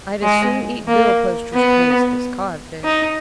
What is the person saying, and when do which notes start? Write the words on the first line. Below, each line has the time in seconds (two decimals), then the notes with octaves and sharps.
"I'd as soon eat billposter's paste as codfish."
0.23 G#3
0.88 A#3
1.54 B3
2.84 D#4